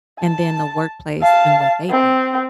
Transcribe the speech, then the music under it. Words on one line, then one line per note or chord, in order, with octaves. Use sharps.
and then the workplace and what they think?
A5
F5 A5
C4